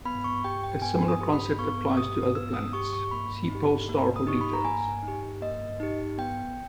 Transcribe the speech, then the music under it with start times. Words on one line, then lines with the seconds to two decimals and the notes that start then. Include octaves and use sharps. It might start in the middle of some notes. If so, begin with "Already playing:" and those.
A similar concept applies to other planets; see pole star for details.
0.05 B3 B5
0.24 C#6
0.44 G4 G5
0.64 G5
0.82 B3 G#5
1.08 D#6
1.20 G4
1.33 B5
1.59 B3 C#6
1.97 G4 D#6
2.35 B3 E6
2.54 D#6
2.73 G4 C#6
2.93 C#6
3.11 A#3 B5
3.50 D#4
3.55 G4
3.89 A#3
4.16 D#6
4.27 D#4 G4 C#6
4.41 B5
4.53 A#5
4.65 A#3 G#5
5.03 D#4
5.08 G4
5.42 A#3 D#5
5.80 D#4 G4
6.18 B3 G5